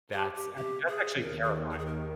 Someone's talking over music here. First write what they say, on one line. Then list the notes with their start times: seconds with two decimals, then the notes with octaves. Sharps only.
That's I mean, that's actually terrifying.
0.13 G4
0.35 G4
0.56 G4
0.88 G#4
1.20 D#2 D#3 A#4
1.42 G#4
1.71 A#4
1.78 G#4
1.86 A#4